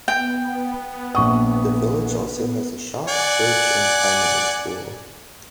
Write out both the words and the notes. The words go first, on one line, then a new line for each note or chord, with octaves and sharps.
The village also has a shop, church and primary school.
B3 G5
A#1 F#5 C#6 D#6
D5 F#5 G#5